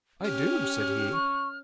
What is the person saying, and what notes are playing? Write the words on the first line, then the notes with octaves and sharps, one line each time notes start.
"I do," said he.
C#4 G4 F6
C#6